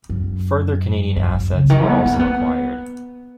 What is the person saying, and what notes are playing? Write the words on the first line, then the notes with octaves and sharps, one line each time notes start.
Further Canadian assets were also acquired.
F#2
F#2
F#2
C#3
D#3
B3
B3
A#3
B3